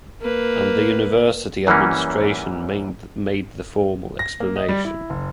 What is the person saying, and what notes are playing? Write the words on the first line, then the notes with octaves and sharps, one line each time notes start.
And the university administration made the formal explanation.
A#3 B4
F#2 E3 G3 A#3 C#4
A#6
A#3
D#5
G3
E4
F#1